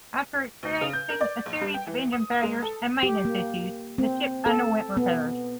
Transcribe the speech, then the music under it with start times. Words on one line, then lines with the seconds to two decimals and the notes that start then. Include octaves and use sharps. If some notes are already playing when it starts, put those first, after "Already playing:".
After experiencing a series of engine failures and maintenance issues, the ship underwent repairs.
0.63 D2
0.81 C#3
0.93 G6
1.10 A#4
1.21 D5
1.46 A#1
1.61 G3
1.74 G5
1.87 E3
2.12 D#6
2.43 G#3
2.62 A4
3.03 G4
3.25 A#3
3.98 C4
4.46 A4
4.97 B3